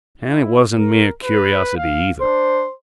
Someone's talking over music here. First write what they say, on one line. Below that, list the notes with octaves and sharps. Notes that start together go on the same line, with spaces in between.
And it wasn't mere curiosity, either.
E4
A#4
B4
F5
D4 C5